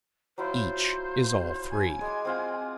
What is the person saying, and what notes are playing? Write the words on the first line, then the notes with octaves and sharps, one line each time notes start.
Each is all three.
F#3 E4 F4 C5
G#5
G#3 D6
C4 F4 F#5